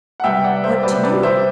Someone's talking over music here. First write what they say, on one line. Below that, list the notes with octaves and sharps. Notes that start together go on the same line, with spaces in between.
"What to do?"
F#5
C3 G3 B3 E5 G5
D5 F#5
C5 E5
C3 G3 B3 B4 D5
B4 D5
C5 E5